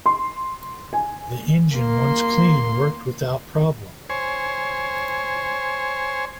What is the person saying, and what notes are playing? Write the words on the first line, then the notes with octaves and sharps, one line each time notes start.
The engine, once cleaned, worked without problem.
C6
G#5
A#3 C6
C5 C#5 G#5